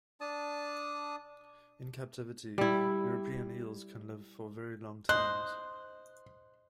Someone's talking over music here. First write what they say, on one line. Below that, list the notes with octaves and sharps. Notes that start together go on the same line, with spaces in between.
In captivity, European eels can live for very long times.
D4 D5 A5 D#6
G3 E4
C5 D#5 F#6